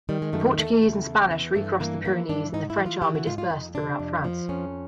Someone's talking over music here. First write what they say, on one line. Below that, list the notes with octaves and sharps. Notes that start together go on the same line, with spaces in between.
The Portuguese and Spanish recrossed the Pyrenees and the French army dispersed throughout France.
D#3 G3
G#3
F#2 A3
A3
E2 A3
C#3
E2
E3
G2 A3
E3 A#3
E3 A#3
G2 D4
G#2 D#4
E4
E3
F4
E3 G4
F#4
G#2 F4
F4
F2 D#4
C3 D4
F2
F3
F2 C#4